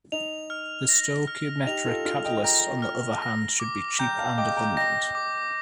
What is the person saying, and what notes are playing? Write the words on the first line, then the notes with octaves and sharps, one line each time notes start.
The stoichiometric catalyst on the other hand should be cheap and abundant.
D#4 F7
F6
A#6
F6
D#4 G4 F7
F4 A4
F4 A4 F6
D#5 G5
G5 A#5 A#6
F6
A#6
D6
G5 A#5 G6
F5 A5
D#5 G5 D6
G5 A#5
D#5 G5 A#6
D6